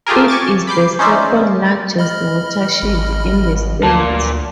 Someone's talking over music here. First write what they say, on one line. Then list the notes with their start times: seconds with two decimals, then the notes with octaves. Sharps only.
It is the second largest watershed in the state.
0.07 A3 F4 G4 G#4 A#4
0.28 G#5 C#6 D6 A6
0.67 B5 D6 G6 C7
0.99 C#4 D#4 C5 D5 E5
1.98 D#5 B5 F6
2.83 G#1
3.83 D2 A#2 A5